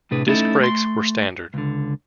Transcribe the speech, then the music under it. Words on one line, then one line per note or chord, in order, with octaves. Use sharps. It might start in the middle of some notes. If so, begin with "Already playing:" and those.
Disc brakes were standard.
A2 C3 D4 G#4 B4
A3 C#4 D#4 E4 F#4 A4
A3 C6
C#2 D3